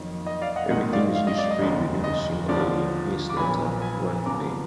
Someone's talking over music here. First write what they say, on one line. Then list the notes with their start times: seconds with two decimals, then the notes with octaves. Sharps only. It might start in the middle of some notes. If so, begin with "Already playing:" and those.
Everything is displayed within a single area, hence the term "one pane".
Already playing: F2 D#3 F#3 A#3
0.27 D#5
0.41 D5 F5
0.56 D#5 F#5
0.70 F#2 D#3 G#3 D#5 F#5
0.93 D5 F5
1.15 F5
1.27 D#5
1.38 D5
1.51 D#5
1.60 F1 D#2 D3
2.04 D#5
2.48 D#2 D3 F3 D5
3.30 D6
3.37 A#1 A#2 F#3 B3 G#5 B5
3.82 G#5 B5
4.26 F#2 D3 F3 B3 A#5 D6